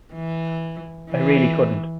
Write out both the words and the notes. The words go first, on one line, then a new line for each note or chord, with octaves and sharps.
I really couldn't.
E3
E3